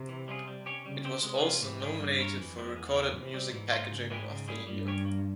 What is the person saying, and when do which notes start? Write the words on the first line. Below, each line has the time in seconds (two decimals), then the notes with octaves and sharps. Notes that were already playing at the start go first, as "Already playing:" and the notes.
It was also nominated for Recorded Music Packaging of the Year.
Already playing: C3
0.09 E3
0.28 G3 C#4 F4 G#4
0.47 G3
0.66 C#4 G4 C#5
0.86 C#3 G3
1.05 C4 G4 C5
1.23 C3 G#3
1.42 C#4 F4
1.62 G#2 E3
1.80 G3 C#4 E4 G#4
2.00 G2 A#3
2.19 E4 A#4 C#5
2.38 F2 E3
2.58 G#3 C4 E4
2.76 E2 G#3
2.95 C#4 E4 G4 A#4
3.14 C3 E3
3.34 G3 C4
3.53 G#2 E3
3.72 A#3 F4 C5
3.91 C#3
4.10 E3 G#3 E4 G4
4.29 C#3
4.48 G3 C#4 E4 G#4
4.67 G2 G3
4.86 C#4 G4 C#5
5.05 A#3